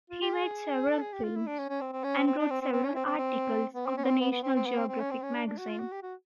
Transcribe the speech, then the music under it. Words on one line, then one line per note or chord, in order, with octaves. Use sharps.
He made several films, and wrote several articles for the National Geographic Magazine.
F4
G4
G#4
A4
G#4
G4
F4
E4
D4
C#4
C#4
C4
C4
C#4
C4
C4
D4
C4
C4
C4
C#4
C4
C4
C4
B3
C4
C#4
B3
C4
B3
B3
C4
C4
B3
C4
C4
C#4
C4
C#4
D4
D4
F#4
F4
F#4
G4
F#4